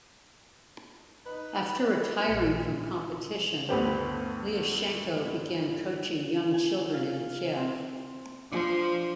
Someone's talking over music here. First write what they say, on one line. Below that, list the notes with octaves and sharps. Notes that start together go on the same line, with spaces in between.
After retiring from competition, Liashenko began coaching young children in Kiev.
D#4 B4
A#1 A#2
D2 G2 B3 G4 C5
G#5
F4
C4
F3 D4